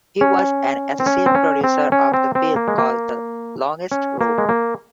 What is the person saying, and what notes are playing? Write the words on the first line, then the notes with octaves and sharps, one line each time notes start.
He was an associate producer of the film called "The Longest Row".
C#4
C4
C#4
C4
C#4
C4
C#4
C4
C4
A#3
G#3
A#3
C#4
A#3
G#3
A#3